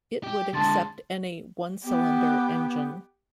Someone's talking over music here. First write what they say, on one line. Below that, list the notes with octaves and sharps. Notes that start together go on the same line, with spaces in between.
It would accept any one-cylinder engine.
G4
D3 G#3 A5 C6 A6
B3 G4